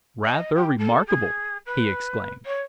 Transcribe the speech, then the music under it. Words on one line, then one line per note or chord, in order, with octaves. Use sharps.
"Rather remarkable!" he exclaimed.
D#5
G4
A4
G#4
B4
C#5